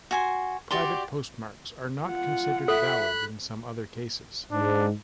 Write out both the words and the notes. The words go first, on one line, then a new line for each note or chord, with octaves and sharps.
Private postmarks are not considered valid in some other cases.
F#4 G#5 C6
F#4 G4 D5 C6
F4 F#5
A4 E5 B5 F#6
G#2 D4